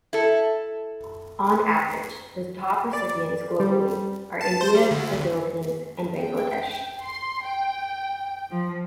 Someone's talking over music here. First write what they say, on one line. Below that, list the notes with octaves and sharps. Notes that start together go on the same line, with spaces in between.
On average, the top recipients globally are India, the Philippines, and Bangladesh.
E4 A4
D5
G3
A5
C5
G3
D2
G#1
G5
C6
G5
F3